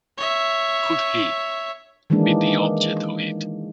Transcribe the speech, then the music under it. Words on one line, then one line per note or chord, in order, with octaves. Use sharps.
Could he be the object of it?
C#5 E5
D#3 E3 G#3 A#3 D4